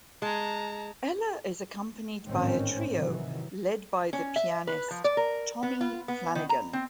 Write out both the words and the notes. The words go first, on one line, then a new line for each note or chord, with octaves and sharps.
Ella is accompanied by a trio led by the pianist Tommy Flanagan.
G#3 A5 A#5
A1 G#2 D#3 C4 C#4
C3 D#3 E3 F#3
C#4
E5
B4
F3
D5
A#4
B3
F4
B3
D#3
A#5
C4